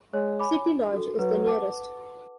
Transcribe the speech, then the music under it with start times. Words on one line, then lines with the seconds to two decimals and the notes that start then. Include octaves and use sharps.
Citylodge is the nearest.
0.14 G#3 C#5
0.39 G#5 B5 D6
0.66 D4
0.92 F#4 A4
1.18 F#3 B4
1.45 F#5 A5 D6